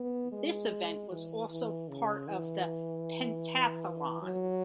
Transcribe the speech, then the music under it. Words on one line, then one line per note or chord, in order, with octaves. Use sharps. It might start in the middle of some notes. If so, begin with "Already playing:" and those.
This event was also part of the pentathlon.
Already playing: B3
G#3
E3
E3
C#3
E3
F#3